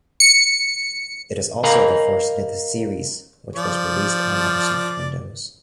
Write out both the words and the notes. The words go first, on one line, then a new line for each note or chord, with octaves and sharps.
It is also the first in the series which was released on Microsoft Windows.
C#7
A#4 D#5 F5 G#5 A#5 B5
F3 D5